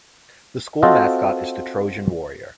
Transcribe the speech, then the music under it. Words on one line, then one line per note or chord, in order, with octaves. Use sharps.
The school mascot is the Trojan Warrior.
C4 F4 F#4 A4 C5 D#5